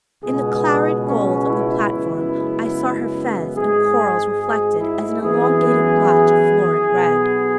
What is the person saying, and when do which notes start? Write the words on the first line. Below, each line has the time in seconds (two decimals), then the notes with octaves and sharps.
In the clarid gold of the platform I saw her fez and corals reflected as an elongated blotch of florid red.
0.23 C#2 B2 G#3 B3 G#4
1.06 C#4
1.48 E4
1.89 F#2 C#3 G#3 B3
3.55 G#1 G#2 G#3 G#4
4.39 G#4
4.80 E4
5.22 F#2 E3 B3 G#4
6.88 B1 B2 B3